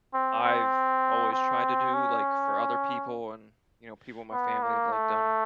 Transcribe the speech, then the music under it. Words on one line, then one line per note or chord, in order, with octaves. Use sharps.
I've always tried to do, like, for other people and, you know, people in my family have, like, done,
C4
C4
C4
C#4
B3
A#3
A3